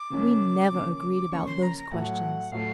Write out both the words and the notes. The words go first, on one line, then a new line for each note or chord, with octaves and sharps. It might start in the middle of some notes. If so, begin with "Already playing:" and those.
We never agreed about those questions.
Already playing: D6
C#3 F3 A#3 C#4
C#3 F3 A#3 C#4
C#3 F3 A#3 C#4 C#6
C6
A#5
A#5
A2 F#3 A3 F#5
A2 F#3 A3 F5